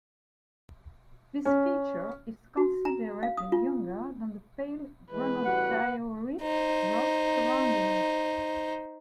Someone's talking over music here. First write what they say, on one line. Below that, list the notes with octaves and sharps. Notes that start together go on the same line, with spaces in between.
This feature is considerably younger than the pale granodiorite rock surrounding it.
C#4
F#4
A#5
F5
D#6
F4
E3 G#3 B4
A1 G3 F#4 F#5
D#4 C5